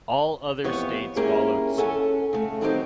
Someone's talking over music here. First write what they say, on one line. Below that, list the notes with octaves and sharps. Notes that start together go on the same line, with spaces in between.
All other states followed suit.
F2 E3 B3 G4 C#5
A#3 C#4 E4 G4 G#4
C#4 A4 F#5 G#5
C#3 A3
D#3 F#3 G3 B3 C4 G4